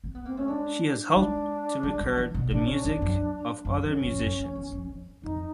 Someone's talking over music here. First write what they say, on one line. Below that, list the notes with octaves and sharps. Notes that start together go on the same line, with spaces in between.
She has helped to record the music of other musicians.
C4
B3
A#3 C4
A3 C#4
G#3 D4
D#4
G#3 D4
G3
D#3
E3
B2
A#2 D4
C#4
D4
E2
F#2
F#2
E2 C#4
F2
F#2
F2
E2
F2
F2
F2 D#4